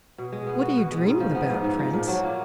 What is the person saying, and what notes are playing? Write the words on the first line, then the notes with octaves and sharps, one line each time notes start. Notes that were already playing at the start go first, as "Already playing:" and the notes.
'What are you dreaming about, Prince?'
B2
G#3
B3
F#4
B2
G#3
G#2
F3
B3
G#2
G#2
F3
A#2
F#3
A#3